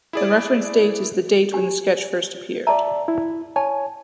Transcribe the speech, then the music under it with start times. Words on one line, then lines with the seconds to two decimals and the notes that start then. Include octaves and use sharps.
The referenced date is the date when the sketch first appeared.
0.13 E4 G#4 D5
1.52 G4 G#5
2.67 D5 E5 A5 A#5
3.08 E4
3.56 C#5 G#5 A5